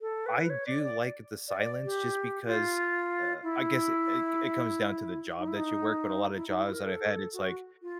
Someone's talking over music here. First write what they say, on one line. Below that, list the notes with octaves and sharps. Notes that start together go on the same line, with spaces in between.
I do like the silence just because, uh, I guess it c it comes down to the job that you work, but a lot of jobs that I've had, it's like
A4
B4
C#5
D5
D5
D5
D5
G4
F4
E4
D#4
E4
D#4
E4
D#4
E4
A#4
A4
F#4
F4